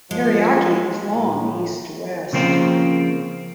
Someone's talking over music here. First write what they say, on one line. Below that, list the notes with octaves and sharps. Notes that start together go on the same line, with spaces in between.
Ariake is long east to west.
F3 G#3
A2
C#3 F3 A#3 C4